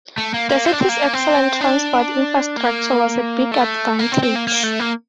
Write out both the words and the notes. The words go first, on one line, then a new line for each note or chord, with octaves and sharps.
The city's excellent transport infrastructure was a big advantage.
A3
A#3
A#3
C4
D4
C4
A#3
C4
D4
A#3
A3
A#3
C4
C4
A#3
A#3
A3
A#3